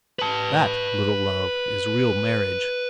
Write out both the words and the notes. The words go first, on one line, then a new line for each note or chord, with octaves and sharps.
That, little Love, is real marriage.
B4 A5